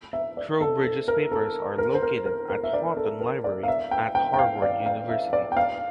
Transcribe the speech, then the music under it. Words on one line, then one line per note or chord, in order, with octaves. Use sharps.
Trowbridge's papers are located at Houghton Library at Harvard University.
E5
D5
A4
A4
A#4
A4
A#4
C5
A#4
A#4
A#4
E5
D5
A4
A#4
D5
F5
E5
G5
G5
G5
F5
D5
F5
E5
D5
G5
F5